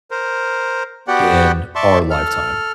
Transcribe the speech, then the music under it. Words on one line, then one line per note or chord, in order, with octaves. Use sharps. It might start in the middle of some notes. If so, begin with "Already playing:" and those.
in our lifetime?
A#4 C5
B3 F#4 G4 D5 F#5 G5
D5 E5 A5 C6 C#6
A4 F6